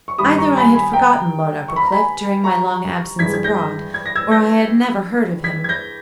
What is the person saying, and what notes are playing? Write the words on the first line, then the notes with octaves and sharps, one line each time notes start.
Either I had forgotten Lord Uppercliff, during my long absence abroad, or I had never heard of him.
C#6
G2 D#3 G3 B5 D#6
A#5 C#6
G#5 B5
G#5 B5
G5 A#5
C#6
B5
A#5
G#5 B5
A#5 C#6
G2 E3 G#3 G#6 B6
G#6
G6 A#6
G#6
A#6
E6 G#6
G6 A#6
G#6 B6
G#6
G6 A#6